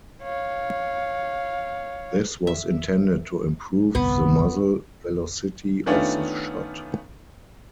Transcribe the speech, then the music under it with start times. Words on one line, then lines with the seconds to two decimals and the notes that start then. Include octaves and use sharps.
This was intended to improve the muzzle velocity of the shot.
0.23 C#5 F5
2.47 E5
3.95 G1 C2 F2 B3
5.86 D#3 A3 B3 C#4 D4 F4